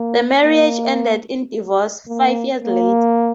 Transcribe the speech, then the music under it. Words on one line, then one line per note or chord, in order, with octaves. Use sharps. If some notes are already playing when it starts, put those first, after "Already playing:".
The marriage ended in divorce five years later.
Already playing: A#3
A#3
A#3
A#3